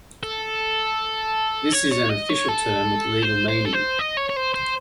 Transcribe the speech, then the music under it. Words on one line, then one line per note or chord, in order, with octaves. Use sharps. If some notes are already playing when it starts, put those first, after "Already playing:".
This is an official term with legal meaning.
A4
C#5
C#5
D#5
C#5
A4
C5
C5
A4
C5
D#5
C#5
C#5
C5
C5